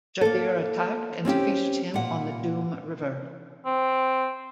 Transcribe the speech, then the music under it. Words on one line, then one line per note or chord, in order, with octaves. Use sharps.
Djabir attacked and defeated him on the Dume River.
A#3 A4
C4 C#4 F#4 G4
A#2 F#5
C4